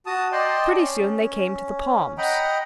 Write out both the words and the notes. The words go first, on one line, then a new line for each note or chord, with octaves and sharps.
Pretty soon they came to the palms.
F#4 A5 D#6
D5 D#5 G5 A5 C6
C#4
D#5 F#5 G5 A#5 B5